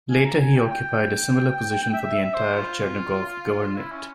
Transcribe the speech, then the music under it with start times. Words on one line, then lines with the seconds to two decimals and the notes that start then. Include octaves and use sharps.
Later he occupied a similar position for the entire Chernigov Governorate.
0.10 G#5
0.25 A#5
0.40 G#5
0.56 G5
0.71 G5
1.93 E5
2.13 E5
2.34 C5
2.55 F4
3.77 E4
3.92 C#4